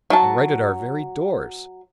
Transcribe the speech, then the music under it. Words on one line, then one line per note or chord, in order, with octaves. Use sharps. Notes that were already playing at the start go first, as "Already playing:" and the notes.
And right at our very doors!
F#3 A5